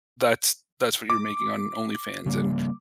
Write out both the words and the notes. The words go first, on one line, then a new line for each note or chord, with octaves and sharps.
that's that's what you're making on OnlyFans, and
D6
C#3 G3 A#3